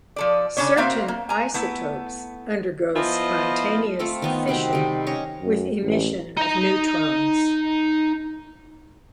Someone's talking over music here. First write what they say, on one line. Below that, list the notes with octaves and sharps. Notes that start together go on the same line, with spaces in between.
Certain isotopes undergo spontaneous fission with emission of neutrons.
F3 A4 D5
C#3 G#3 C#4 D4 C#5
A#3 C4 F#4 C5 E5 F5
A#3
G#5 A#5
A3 B3 E4
F3 B3 E4 F4 C5 D#5
A3 C4 F4 A4
D#3 B3 D#4
C3 C4 F#4 G4
C3 D#3 G3
C#4 C#5 D#5
F#2
A1
D#4 A#5